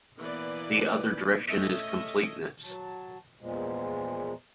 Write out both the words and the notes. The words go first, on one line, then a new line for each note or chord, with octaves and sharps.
The other direction is completeness.
E3 A#3 B3 B4 D5
A3 C#4 D#5 E5
F#3 A5
E2 A#2 F3 G#3